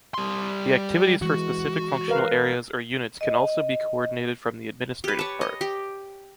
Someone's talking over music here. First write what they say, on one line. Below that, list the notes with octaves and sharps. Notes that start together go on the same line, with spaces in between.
The activities for specific functional areas or units can also be coordinated from the administrative part.
G3 C6
E3 G#3 F#4
A#4 B4 F5
D#5
G4 B4
C#5 A5
D#5
G4